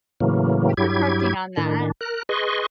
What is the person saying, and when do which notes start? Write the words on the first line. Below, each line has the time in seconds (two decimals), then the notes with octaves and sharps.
I've been working on that.
0.20 A2 C#3 E3 F#3 A#3
0.77 G2 F#3 E4 G4 G#6
1.57 A2 D#3 D4
2.01 A#4 F#6
2.29 G#4 B4 D#5 C6 C#6